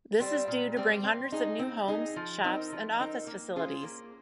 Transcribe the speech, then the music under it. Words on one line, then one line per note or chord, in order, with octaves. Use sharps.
This is due to bring hundreds of new homes, shops and office facilities.
G3 C4
A#2
G3 C4
C4
D#4 G#4
C4
D#4 G#4
F3
C4 D#4 A#4
F3
C4 D#4 A#4
A#3
C#4 F4 G#4 C5
A#3